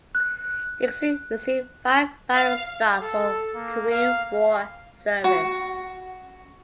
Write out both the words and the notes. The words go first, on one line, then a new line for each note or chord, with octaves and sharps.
"Dixie" received five battle stars for Korean War service.
F#6
F5
A4
A#3
F5
F#4